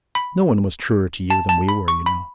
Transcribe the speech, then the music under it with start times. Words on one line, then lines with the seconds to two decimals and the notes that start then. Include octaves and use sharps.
No one was truer to you than we were, you know.
0.15 B5
1.30 A5
1.49 A5
1.69 B5
1.88 C#6
2.06 B5